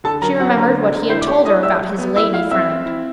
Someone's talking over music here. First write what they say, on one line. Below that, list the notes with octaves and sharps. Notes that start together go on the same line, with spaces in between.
She remembered what he had told her about his lady friend.
D3 A4 A5
F#3 A#4 A#5
F#3 F#4 F#5
D3 A#4 A#5
D3
D3
E4 C5 C6
D6
G4 C#5 C#6
E4 D#5 D#6
G4 E5 E6
F#3
B3
E4 E5 E6
E4 F5 F6
C4 E5 E6
C4
E4